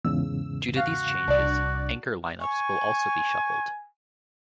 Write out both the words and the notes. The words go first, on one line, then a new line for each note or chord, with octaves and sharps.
Due to these changes, anchor lineups will also be shuffled.
E2 G#2 C#3 E6
F#4 F5
C2 D4 D5
G#5 C#6